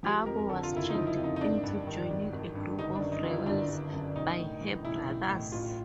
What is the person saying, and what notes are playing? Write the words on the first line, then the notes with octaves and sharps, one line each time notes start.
Abo was tricked into joining a group of rebels by her brothers.
F3 G4
F2 A#4
A#4
D3 A4
F4
F#1 E4
D#4
F3
E4
F2
D#4
D#4
G#1 D4
G2
D#3
G#1
G#1
G2
G1 D#4
D4
F#2
D#4
D#3 F4
E4
G1 D4
G1
F#2
B1 D#4
A2
E3
B1 E4
B1
A2
A1 F4